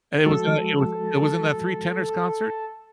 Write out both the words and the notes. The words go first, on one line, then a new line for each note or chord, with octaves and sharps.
And it was in, uh, it was it was in the Three Tenors concert,
F3 G#3 F#4 A4